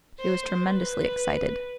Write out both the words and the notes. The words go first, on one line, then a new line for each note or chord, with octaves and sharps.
She was tremendously excited.
C5
B4